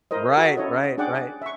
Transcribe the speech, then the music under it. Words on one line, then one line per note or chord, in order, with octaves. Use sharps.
Right, right, right.
E4 A#4 C5 D#5
F#4 A4 C#6
C#4 E4 A4 C#5 D#5
D4 G#4 D5 F#5 G5 D6
E5 C#6